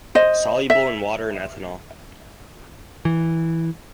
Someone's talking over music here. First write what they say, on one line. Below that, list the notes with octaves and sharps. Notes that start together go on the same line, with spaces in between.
Soluble in water and ethanol.
C5 D#5
E5
E3